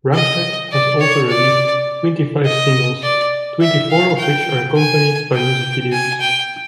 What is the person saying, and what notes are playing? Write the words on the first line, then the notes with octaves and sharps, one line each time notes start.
Rammstein has also released twenty-five singles, twenty-four of which are accompanied by music videos.
D#5
D5
C#5
D5
D#5
D5
E5
F5
G5
G#5
G5
G#5
G5